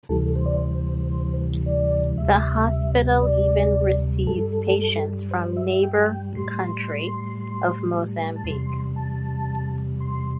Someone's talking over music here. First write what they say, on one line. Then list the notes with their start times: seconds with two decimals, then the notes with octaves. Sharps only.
The hospital even receives patients from neighbour country of Mozambique.
0.09 D2 C3 E3 G3 A4
0.36 C5
0.46 D5
0.57 C5
1.66 D5
2.18 D2 C3 G3 E5
3.22 D5
4.27 G2 G3 A4
5.31 C5
5.43 C5
5.57 E5
5.70 E5
5.83 G5
6.35 A2 G3 C6
8.36 A5
8.44 E2 C3 G3 C6
8.96 A5
10.00 C6